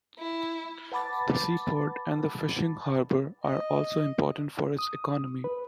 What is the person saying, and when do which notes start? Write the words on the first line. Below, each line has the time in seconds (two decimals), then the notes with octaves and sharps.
The seaport and the fishing harbour are also important for its economy.
0.19 E4
0.92 B4 F#5 A5 B5 D6 A6
3.44 D#5
4.79 D#6
5.44 B4